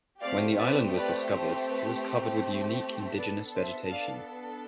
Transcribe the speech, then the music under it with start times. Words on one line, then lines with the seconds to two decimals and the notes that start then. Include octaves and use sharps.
When the island was discovered, it was covered with unique indigenous vegetation.
0.21 A3 C4 G4 D5 F5
0.58 B4 D5
0.95 B4 D5
1.32 C5
1.69 B4
3.17 B3 D4 A4 B4 D5
3.55 C5 E5
3.91 D5 F5